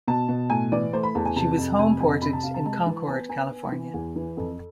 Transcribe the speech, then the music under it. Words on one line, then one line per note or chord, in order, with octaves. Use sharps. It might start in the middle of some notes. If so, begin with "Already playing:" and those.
She was homeported in Concord, California.
B2 A5
B2
A2 G#5
E3 D5
A3 C5
B5
E2 A5
G#5
C3 A5
F2
C3 G#5
F2 G#5
C3 B5
A5
C3 F5
A5
G#3 A5
E3
B3 G#5
B3 G#5
B3
E3
E2
E3
F2 A4